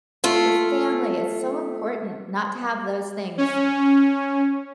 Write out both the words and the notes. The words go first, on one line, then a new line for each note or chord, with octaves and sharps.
with family, it's so important not to have those things
A3 F4
C#4